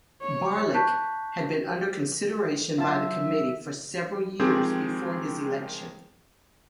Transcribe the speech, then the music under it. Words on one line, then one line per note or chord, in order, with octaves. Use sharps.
Barlick had been under consideration by the committee for several years before his election.
C#5
A5 C#6 F#6 G6 B6
F#3 F4 E5 A5
D#3 F3 G#3 C4 G4 G#4